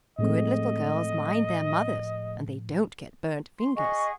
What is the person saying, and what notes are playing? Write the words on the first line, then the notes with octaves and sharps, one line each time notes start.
"Good little girls mind their mothers and they don't get burnt fingers."
A2 F3 G#3 A3 C4 D#5
C6
G#4 D#5 F#5 C#6